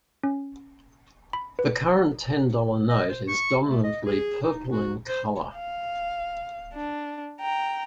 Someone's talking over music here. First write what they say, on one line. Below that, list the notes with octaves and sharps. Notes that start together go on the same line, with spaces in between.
The current ten-dollar note is dominantly purple in colour.
C#4
B5
B4
D#5
C5
C#6
A3
D#5
G#4
D#4
F#4
C5
F5
D4
G5 A#5